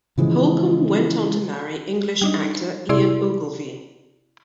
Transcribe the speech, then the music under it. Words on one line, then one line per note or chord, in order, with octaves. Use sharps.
Holcomb went on to marry English actor Ian Ogilvy.
C#3 E3 F3 G#3
G3 D4 D#4
C3 E4 G#4 D5 C6